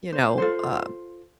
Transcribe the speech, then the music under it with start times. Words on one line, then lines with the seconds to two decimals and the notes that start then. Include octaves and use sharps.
you know, uh
0.12 C5
0.38 F4 A4 C5